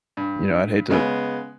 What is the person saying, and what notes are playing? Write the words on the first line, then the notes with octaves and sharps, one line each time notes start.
you know, I'd hate to
G2
C#3 G#3 B3